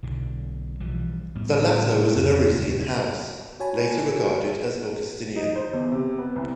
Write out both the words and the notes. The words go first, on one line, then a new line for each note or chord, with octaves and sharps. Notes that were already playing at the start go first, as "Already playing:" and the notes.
The latter was an Arrouasian house, later regarded as Augustinian.
B1 D3
B1 E3 F3 G3
A2 G3 B3
F2
D#1 D#2 C#3 C#4
F#4 C#5 G#5 A5 B5
D#4
C5
E2
C3
B3
C2